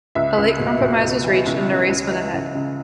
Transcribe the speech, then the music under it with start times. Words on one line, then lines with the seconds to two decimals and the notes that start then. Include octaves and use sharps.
A late compromise was reached and the race went ahead.
0.15 C#2 E5
0.38 C#2
0.59 B2
0.81 B2
1.03 C#2
1.24 E3
1.46 C#2
1.68 C#3
1.89 C#2
2.12 E3
2.33 C#2
2.55 C#3